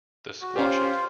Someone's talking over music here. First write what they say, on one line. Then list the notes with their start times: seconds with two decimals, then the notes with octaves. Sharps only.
The Squash It!
0.42 F#4
0.56 C#4 F4 G4 C5